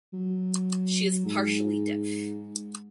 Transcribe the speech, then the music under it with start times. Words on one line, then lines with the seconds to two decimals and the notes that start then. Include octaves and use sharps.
She is partially deaf.
0.13 F#3
1.25 G#2